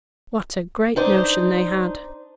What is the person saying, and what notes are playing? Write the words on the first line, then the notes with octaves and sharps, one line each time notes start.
What a great notion they had!
D4 D#4 C5